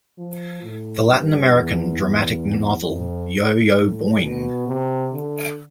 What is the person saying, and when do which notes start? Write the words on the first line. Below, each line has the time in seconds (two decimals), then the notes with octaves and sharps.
The Latin American dramatic novel Yo-Yo Boing!
0.18 F3
0.63 A2
1.08 G2
1.53 E2
1.98 E2
2.88 F2
3.78 A2
4.23 B2
4.68 C3
5.13 D3